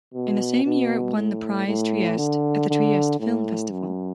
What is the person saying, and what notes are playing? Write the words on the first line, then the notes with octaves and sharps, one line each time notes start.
In the same year it won the Prize Trieste at the Trieste Film Festival.
B2
B2
A2
A2
D3
D3
A2
F#2